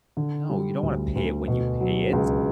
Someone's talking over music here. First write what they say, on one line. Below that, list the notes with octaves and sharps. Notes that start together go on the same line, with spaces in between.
No, you don't want to pay it when you pay it,
D3
G3
D2
D2
B2
F#3
C#2